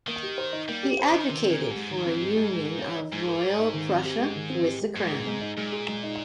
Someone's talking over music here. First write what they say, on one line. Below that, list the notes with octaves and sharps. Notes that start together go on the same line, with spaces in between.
He advocated for a union of Royal Prussia with the Crown.
D#3 A#3
G4
C5
D#4
G3 A#3
G4
C5
D#3 D#4
C3 D#3
A#2 C4
G4
G#2
G#3
D#3
C4
G4
G#3
G#3
A#4
C#5
D#4
G#2 G#3
A#4
C#5
D#4
D#3
C4
G4
G#3
D#3
C4
G4
G#3
G#2 G#3
G#4
G#3
D#4
A#2 G#3
G#4
G#3
D#4